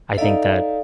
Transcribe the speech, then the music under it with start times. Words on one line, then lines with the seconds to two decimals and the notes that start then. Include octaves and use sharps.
I think that
0.18 D#4 A4 D5 E5 F5